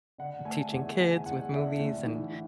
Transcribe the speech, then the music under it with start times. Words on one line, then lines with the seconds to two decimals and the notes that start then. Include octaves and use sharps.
teaching kids with movies and
0.18 D3 F#5
0.45 A3 G#5
0.72 E2 F#5
0.99 E2 G#5
1.26 E2 F#5
1.52 D3 E5
1.79 A2
2.06 E3